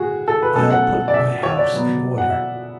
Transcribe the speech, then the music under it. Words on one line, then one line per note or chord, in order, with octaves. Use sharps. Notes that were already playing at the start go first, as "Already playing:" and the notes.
I'll put my house in order.'
Already playing: A2 F#4 G#4
A4
B4
B2 F#3 A3 C#4 A4
F#5
D5
E5
C#5
D5
B2 F#3 B3
F#5
E5